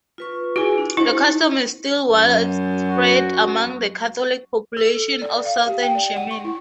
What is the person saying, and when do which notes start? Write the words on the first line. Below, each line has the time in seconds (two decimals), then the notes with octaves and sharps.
The custom is still widespread among the Catholic population of Southern Germany.
0.18 F4 B4 C#6
0.56 E4 F#4 G#4 G#5
0.78 D4
0.97 D#4 E4 C5
2.13 F#2
2.87 F#4
4.77 A4
5.22 D5
5.45 F5
5.67 G4
5.83 G5
5.95 D5
6.16 F#5
6.31 C#6
6.44 E4